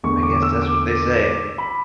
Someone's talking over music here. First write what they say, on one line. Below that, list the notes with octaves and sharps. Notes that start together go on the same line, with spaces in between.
I guess that's what they say.
E2 D3 A3 C#6
D6
E6
D6
B5